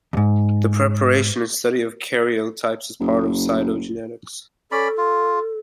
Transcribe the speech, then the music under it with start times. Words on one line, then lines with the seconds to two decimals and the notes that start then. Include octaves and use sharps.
The preparation and study of karyotypes is part of cytogenetics.
0.13 D#2 G#2
3.00 F#1
4.72 C#4 A4 D5 B5
4.97 F4